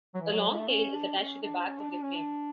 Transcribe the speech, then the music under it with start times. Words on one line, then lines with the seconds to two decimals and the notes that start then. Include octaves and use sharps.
A long tail is attached to the back of the frame.
0.14 F#3
0.21 E3
0.33 F#3
0.49 G#3
0.57 A3
0.69 C#4
0.94 D4
1.18 C#4
1.42 D4
1.66 C#4
1.78 D4
1.90 D4
2.03 C#4
2.15 D4